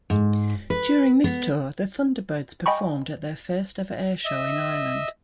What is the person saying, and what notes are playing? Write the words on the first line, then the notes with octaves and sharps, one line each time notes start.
During this tour, the Thunderbirds performed at their first-ever air show in Ireland.
G#2
B4
B3
D#5 G5 G#5 B5 C#6
D#5 E5